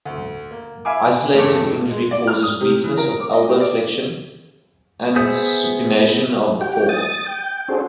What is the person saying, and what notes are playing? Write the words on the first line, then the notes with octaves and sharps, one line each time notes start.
Isolated injury causes weakness of elbow flexion and supination of the forearm.
D2
A#3
E5 F5 G#5 B5 D6
E1 G2 C#3 A3 A4 D6
G#3
D5
F6
D#6
C3
E3
A#4
D6
D#5
G4
D5
B3 G#4 C5 E5 D#6
F#4 G4 G5
D#6 A6
G5
G5
C#4 D4 F#4 G#4 A4 C5